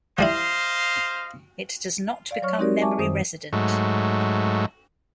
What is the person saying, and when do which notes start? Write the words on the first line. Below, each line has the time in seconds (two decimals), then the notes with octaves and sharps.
It does not become memory resident.
0.19 F3 G3 E4 C5 D#5 F5
2.31 D5 F5
2.42 F#3 C#5 C#6 F6
2.59 C4 D#4 F#4 G4 A#4 D5
2.82 E5 G#5 A5 C#6 D6
2.98 F#2 D#3 G3 C5 D#6
3.53 G#2 F#3 A3